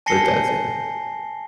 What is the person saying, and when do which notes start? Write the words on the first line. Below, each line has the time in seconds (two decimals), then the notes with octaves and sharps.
with that thing.
0.06 G#5 A5 A#6 C7 C#7 G7